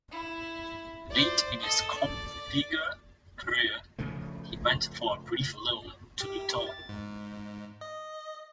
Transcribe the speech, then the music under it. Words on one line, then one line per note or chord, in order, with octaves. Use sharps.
Late in his Kongsvinger career, he went for a brief loan to Luton.
E4
C5 D5
A4 D#5
D5
C#3 F3 A3
G4
A6
G#2
D#5